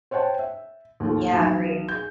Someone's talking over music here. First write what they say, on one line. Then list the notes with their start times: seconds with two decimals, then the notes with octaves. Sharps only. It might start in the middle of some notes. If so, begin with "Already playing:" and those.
Yeah, agree.
0.11 C5 C#5 F#5 G5 A5
0.39 E5
1.00 D#2 F3 F4 A4
1.32 B1
1.88 G#4 G6